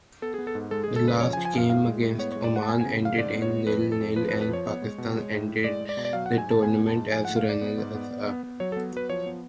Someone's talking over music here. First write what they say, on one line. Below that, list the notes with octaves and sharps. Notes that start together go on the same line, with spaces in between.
The last game against Oman ended nil-nil and Pakistan ended the tournament as runners-up.
B3 A4
G#4
B3
A4
G#2
G#3 A4
G#4
G#3
A4
C#3 B4
F3 C#5
G#5
F3
G#5
F#2 F5
A2 F5
G#3
A2
B3 C#5
C#5
G#3
D5
G#3 F#5
A5
B3 G#5
G#5
C#3
F#2 F5
G#2 D5
B3
C#5
G#3
F2 B4
F2
A4
F2
F3 B4
B4
F2
B4
F3 C#5
B3
G#3
B2
G#3
A2
A2
G#3 D5
G#3
D5
B2
D5
F#3 F5
F#5
G#2
G#5
G#2 A5
B3 G#5
G#2
A5
G#2
F3 G#5
F#5
A3
F5
G#2 D5
B3
G#2
B3
B3
B3
B3
F#3 C#5
A4
B3
F#3 B4
F3 C#5
B3